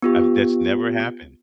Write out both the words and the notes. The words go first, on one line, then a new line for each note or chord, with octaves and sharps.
I've That's never happened.
B3 F4 G4